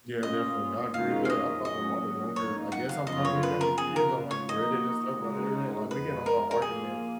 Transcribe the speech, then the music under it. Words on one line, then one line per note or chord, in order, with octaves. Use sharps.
Yeah, definitely I agree with that, I talk to a lot of younger I guess I'm talking to younger kids on, like, Reddit and stuff on the internet, like, we get in a lot of arguments
B2 A#3 C#4 F4 D#5
F2 D#3 G#3 C#4 F4 F5
F5
D#5
A#2 F#3 C#4 F#4 D#5
F#2 F3 A#3 D#4 C#5
F#5
F5
F#2 C#3 F3 B3 F4 D#5
C#5
B4
A#4
C#3 F3 B3 F4 G#4
A#4
C#5
F3 A#3 D#4 F#4 D#5
C#3 G#3 D#4 F#4
F2 F3 G#3 B3 B4
A#4
A#4
A#2 F3 A#3 F4 G#4